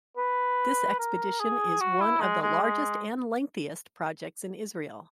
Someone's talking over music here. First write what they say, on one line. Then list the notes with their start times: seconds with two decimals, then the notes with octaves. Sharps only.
This expedition is one of the largest and lengthiest projects in Israel.
0.17 B4
0.99 A#4
1.40 G#4
1.80 F#4
2.01 E4
2.21 G#3
2.42 G#3
2.63 G#3